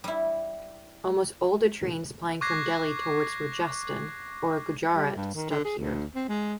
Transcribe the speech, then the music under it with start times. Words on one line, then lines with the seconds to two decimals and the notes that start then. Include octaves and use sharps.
Almost all the trains plying from Delhi towards Rajasthan or Gujarat stop here.
0.04 G3 E4
2.41 C#6 D6 F#6 G#6 A#6 C7
4.95 G3
5.16 G2
5.34 D#3
5.50 D3
5.65 G#4
5.79 D2
6.15 C4
6.28 G#3